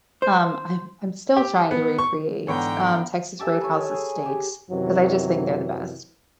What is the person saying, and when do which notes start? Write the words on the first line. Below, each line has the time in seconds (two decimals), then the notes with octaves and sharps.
um, I'm I'm still trying to recreates, um, Texas Roadhouse's steaks 'cause I just think they're the best.
0.22 C5
1.37 G4
1.71 B3
1.98 C#6
2.48 G#2 D3 E3 B3 C#5 G5 A#5
3.39 G4 A4 E5 G#5
3.61 B4 C#5
3.91 G#4 G#5
4.25 G4
4.71 F#2 C3 D#3 E3 F#3